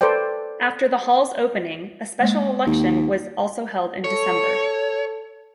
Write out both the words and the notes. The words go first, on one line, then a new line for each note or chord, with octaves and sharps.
After the Hall's opening, a special election was also held in December.
A4 B4 C5 D5 G5
G#3 A#3
D#2
A4 C#5